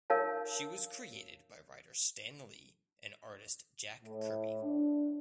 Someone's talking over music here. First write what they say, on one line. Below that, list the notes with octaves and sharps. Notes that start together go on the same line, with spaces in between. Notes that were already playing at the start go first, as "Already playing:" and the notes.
She was created by writer Stan Lee and artist Jack Kirby.
D#4 A#4 C#5 F5 A5
A2
D4